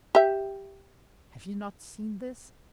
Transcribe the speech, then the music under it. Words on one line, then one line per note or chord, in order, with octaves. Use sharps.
Have you not seen this?
G4 E5